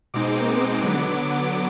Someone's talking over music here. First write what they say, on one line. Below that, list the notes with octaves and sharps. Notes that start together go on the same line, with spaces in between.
She looked round.
B2 G#3 C4 D#4 D6
D3 F#3 B3